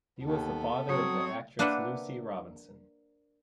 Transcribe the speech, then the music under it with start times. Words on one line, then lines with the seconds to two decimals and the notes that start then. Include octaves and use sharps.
He was the father of the actress Lucy Robinson.
0.22 D#2 B3 A4
0.89 F#3 C4 C#5 D#6
1.59 A#3 D4 B4 C5 E5 F#5